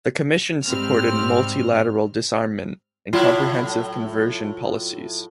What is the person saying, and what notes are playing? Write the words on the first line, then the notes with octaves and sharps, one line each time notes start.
The commission supported multilateral disarmament and comprehensive conversion policies.
G#2 G3 C4 F6
A2 F#3 E4 F4